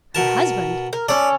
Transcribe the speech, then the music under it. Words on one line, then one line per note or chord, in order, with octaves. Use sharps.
Her husband?
B2 A#4 A5
A#4
C#4 A4 D5